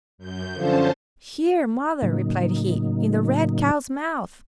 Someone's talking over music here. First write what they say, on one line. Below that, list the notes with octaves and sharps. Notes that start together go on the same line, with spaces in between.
"Here, mother," replied he, "in the red cow's mouth."
F#2 G6
D3 F3 C#4 C5 A5
A2 C#3 F#3 A#3 D#4